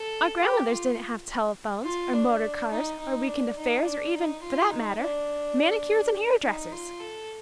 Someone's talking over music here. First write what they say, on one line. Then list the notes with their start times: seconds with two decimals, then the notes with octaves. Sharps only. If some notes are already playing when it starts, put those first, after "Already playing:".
Our grandmothers didn't have telephones, or motor-cars, or week-end affairs, or even--for that matter--manicures and hair-dressers!
Already playing: A4
0.40 G4
0.70 F4
1.84 F4
2.13 D4
2.71 D#4
2.98 D#4
3.27 D4
3.57 D#4
3.84 D4
4.14 D#4
4.42 F4
4.70 D#4
5.00 D4
6.43 D#4
6.72 F4
7.00 A4